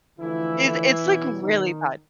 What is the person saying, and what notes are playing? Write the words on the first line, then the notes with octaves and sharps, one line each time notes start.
It it's, like, really bad.
D3 E3 F3 A3 E4
B2 F#3 B3
D#3 D#4